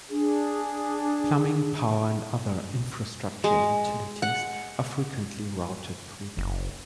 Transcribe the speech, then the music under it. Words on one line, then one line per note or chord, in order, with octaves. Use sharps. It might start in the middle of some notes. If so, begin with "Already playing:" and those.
Plumbing, power, and other infrastructure utilities are frequently routed through them.
D4 G#4
G#3
F#5
F#1